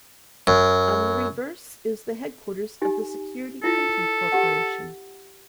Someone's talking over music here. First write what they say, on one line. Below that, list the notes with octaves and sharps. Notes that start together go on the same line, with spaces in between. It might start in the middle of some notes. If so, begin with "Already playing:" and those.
On the reverse is the headquarters of the Security Printing Corporation.
F#2
D#4 G4 G#5
E4 F4 A4
G4 F#5